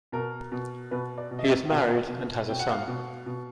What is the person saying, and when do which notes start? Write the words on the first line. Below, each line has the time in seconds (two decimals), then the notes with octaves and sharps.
He is married and has a son.
0.12 B2 A#4
0.52 B2
0.91 B2 B4
1.18 D5
1.31 B2
1.39 D#5
1.44 E5
1.70 B2 F5
2.09 B2
2.48 B2 G5
2.59 F#5
2.70 F5
2.82 F#5
2.88 B2
3.26 B2